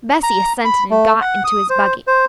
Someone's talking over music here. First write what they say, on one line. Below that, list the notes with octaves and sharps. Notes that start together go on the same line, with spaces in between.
Bessy assented and got into his buggy.
A#5
B5
A3
F#5
D#6
C5
C5